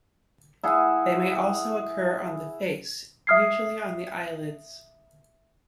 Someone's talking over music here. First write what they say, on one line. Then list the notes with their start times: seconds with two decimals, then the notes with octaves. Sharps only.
They may also occur on the face, usually on the eyelids.
0.63 E4 G#4 F#5
3.27 E5 D#6 F6 G#6 C7